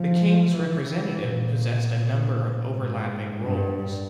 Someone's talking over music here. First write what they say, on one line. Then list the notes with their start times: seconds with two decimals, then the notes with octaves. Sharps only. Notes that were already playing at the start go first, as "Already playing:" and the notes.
The King's representative possessed a number of overlapping roles.
Already playing: F3
0.51 E3
1.24 A#2
2.71 G#2
3.46 G2